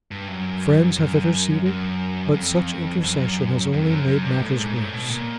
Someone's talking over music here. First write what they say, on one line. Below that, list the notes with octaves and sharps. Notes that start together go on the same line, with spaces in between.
Friends have interceded, but such intercession has only made matters worse.
G2
F#2
F#2
F#2
F2
F#2
F2
F#2
F#2
G2
A2
G#2
A2
B2
A#2